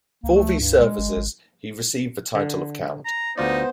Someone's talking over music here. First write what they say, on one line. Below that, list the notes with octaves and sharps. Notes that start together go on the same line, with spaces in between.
For these services he received the title of Count.
C#2 A#3
A3
G2
G#3
G1
G#1
D3
A#5
D2 B3 D#4 F4 C5 D5